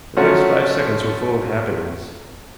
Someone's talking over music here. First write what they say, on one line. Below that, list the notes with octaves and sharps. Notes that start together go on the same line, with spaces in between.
The next five seconds were full of happenings.
F3 F#3 A3 C#4 F#4